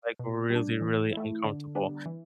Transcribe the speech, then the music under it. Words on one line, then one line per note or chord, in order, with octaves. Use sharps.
like, really, really uncomfortable,
B2
G3
D4
E3
A3 E4
D3
G3 B3 D4
E3